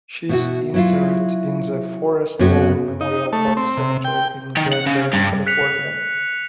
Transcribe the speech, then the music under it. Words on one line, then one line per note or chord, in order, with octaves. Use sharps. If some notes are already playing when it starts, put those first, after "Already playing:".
She is interred in the Forest Lawn Memorial Park Cemetery in Glendale, California.
B2 E4 F#4
F#3 E4 F4
F#2 C3 F#3 B3 C#4 F#4
D#4
A3
C4
C3
G5
D#3
F#5
C#3
G2
F#6 B6 C#7 F7